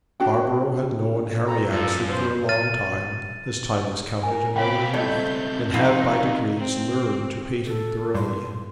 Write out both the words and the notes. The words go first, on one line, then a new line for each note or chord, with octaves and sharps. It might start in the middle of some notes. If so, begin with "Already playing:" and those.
Scarborough had known Harry Annesley for a long time, as time is counted in early youth, and had by degrees learned to hate him thoroughly.
D4 F#4 G5
C4 A4 A#5
F#2 F4 A4
B3 C5
F6 A6 D#7
A#4 G#5
C#2 C4 C#5 F5 G5 B5 D6
G2 A3 D5 D#5 G6
A2 F3 D#4 F5
C4
A4
G2 C6